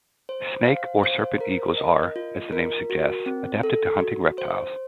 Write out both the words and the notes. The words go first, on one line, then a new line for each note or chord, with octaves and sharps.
Snake or serpent eagles are, as the name suggests, adapted to hunting reptiles.
C5
F5
C5
A#4
D#5
F4
A#4
F#4
C4
A4
F#4
C5